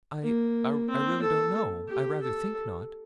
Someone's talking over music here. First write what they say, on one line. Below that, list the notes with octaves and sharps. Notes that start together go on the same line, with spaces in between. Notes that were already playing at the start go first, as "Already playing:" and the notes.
'I--I really don't know; I rather think not.
A#3
C4
A4
G4
A4